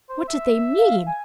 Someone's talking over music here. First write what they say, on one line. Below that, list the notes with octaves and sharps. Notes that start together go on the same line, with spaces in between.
What did they mean?
C5
E5
F5
G#5